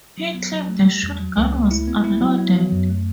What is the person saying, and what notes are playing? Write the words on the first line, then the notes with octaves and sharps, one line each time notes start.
He claimed the shotgun was unloaded.
F#3
B3
F#3
A3
G3
E2
F#3
C#2
A3
E4
B3
E4
F#3
B3
F#3
F#2
A3